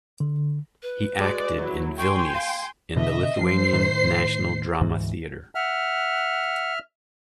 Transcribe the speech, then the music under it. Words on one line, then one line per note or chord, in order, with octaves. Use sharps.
He acted in Vilnius, in the Lithuanian National Drama Theatre.
D3
B4
G#3 F#4 D5
F#3 E4
G5 G#5 C6 C#6
F5
B2 D3 D#5 E5
F3 C5 C7
A2 D#3
D2 G#2 E3
E5 F#5 F6